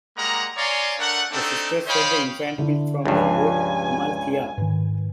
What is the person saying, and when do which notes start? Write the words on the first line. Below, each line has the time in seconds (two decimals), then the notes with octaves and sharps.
The sisters fed the infant milk from the goat Amaltheia.
0.17 G3 G#3 A#3 F#5 A#5
0.57 C#5 D5 F5 G#5 A#5 C6
0.99 A3 D4 A#4 F#5
1.31 A3 C4 D4 D#4 A4
1.87 C5 C#5 D#5 F5 G5 B5
2.58 D3 E4
3.06 C#2 G2 F3 G4 G#5
4.58 G#2 D#3 B4